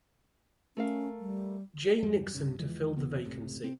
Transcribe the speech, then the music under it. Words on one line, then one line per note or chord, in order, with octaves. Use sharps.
Jay Nixon to fill the vacancy.
A3 C#4 A#4 F5
G3
E2 G2 F#3 G3
C2 G2 C#3
E2 E3 F3 G#3
E2 B2 E3 B3
F#1 C#2 A2 C3
C3 C4